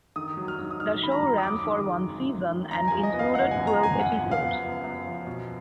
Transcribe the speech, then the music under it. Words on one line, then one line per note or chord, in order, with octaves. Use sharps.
The show ran for one season and included twelve episodes.
D#3 D#6
F#3
F6
G#2
D#6
G#2 F6
D#3 B5
A#5
F#3
D#6
F#2 D6
D#3
G#3
G#1
F#2
D#3
F#2 A#5
F3 G#5
D#5
B3
F5
F#1 F#5
G#5
F#2
A#5
F3
G#5
F#2 F#5
F3
F5
B3
F#1
F#2
F3
B2